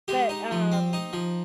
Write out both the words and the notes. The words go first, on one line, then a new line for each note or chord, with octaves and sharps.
But, um,
G#3 G4
D#4
F3
C4
D#4
F3